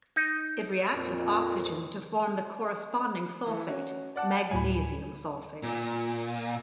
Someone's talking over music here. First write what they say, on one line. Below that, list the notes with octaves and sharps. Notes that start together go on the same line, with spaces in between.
It reacts with oxygen to form the corresponding sulfate, magnesium sulfate.
D#4
F2 A#2
E3 A3
C#4 F#4
D5 F#5 A5
D2 A2 F#3 G#5 B5
A#2